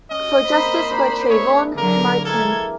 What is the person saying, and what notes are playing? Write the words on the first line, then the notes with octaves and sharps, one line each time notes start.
For justice for Trayvon Martin.
C#4 D#5
A#3 C4 C#4 C5 B5
A#3 D4 D#4
E4 G#4 C#5
D3 F#3 A#3 A#4
E3 G#3 A4 A#4 G#6